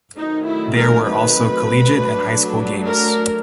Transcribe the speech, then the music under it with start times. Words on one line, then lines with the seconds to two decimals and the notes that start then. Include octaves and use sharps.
There were also collegiate and high school games.
0.18 D#3 F#3 A3 C4 D#4
0.47 E4
0.77 A#4
1.07 B4
1.96 F#3 A3 D4
2.85 A#4